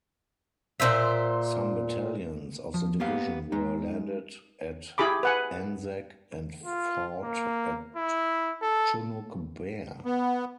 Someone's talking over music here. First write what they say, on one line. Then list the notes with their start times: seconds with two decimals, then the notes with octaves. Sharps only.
Some battalions of the division were landed at Anzac and fought at Chunuk Bair.
0.80 A#2 E3 C5 E5
2.74 F3
3.00 A#3 B3 G4 F5
3.52 G#3 D#4
4.98 E4 G4 G#4 B5 D6
5.23 B4 F#5 G#5
6.66 F4
7.24 A#3
7.96 E4
8.62 A4
10.05 B3